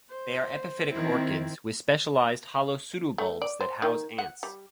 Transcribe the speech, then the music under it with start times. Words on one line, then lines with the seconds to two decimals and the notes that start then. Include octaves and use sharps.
They are epiphytic orchids with specialized hollow pseudobulbs that house ants.
0.10 C5
0.91 D#3 C4 E4
3.18 A3
3.42 D5
3.61 C5
3.82 D#3
4.18 F#5
4.43 G3